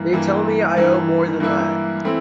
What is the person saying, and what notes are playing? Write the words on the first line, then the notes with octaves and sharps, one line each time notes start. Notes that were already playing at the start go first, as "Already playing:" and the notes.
They tell me I owe more than that.
Already playing: G2 E3 A#3
G2 E3 A#3
G2 E3 A#3 E4
G2 E3 A#3 E4
E3 A3 C4 E4